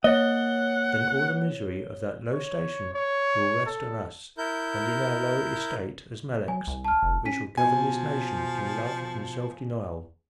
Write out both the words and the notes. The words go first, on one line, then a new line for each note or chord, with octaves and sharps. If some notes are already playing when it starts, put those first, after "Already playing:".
Then all the misery of that low station will rest on us; and in our low estate as Meleks we shall govern this nation in love and self-denial.
A#3 C#5 D#5 F#5 G7
C#5
C#5
A4
E4 A#4 G6
F#3 G#5
C2
A5 F6
F1
C#4 G#5 B6 D#7
B2 F3 G#5